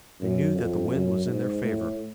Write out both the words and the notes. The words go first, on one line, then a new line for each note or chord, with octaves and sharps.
They knew that the wind was in their favor.
F#2
F2
F#2
G#2
A2